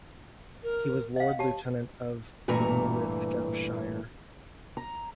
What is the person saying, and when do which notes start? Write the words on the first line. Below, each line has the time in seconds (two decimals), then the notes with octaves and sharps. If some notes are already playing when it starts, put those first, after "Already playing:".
He was Lord Lieutenant of Linlithgowshire.
0.63 A#4
1.16 D#5 F5 F#5
1.39 G4 C#5 A5
2.48 G2 A#2 E3 A3 A#5
4.77 A#5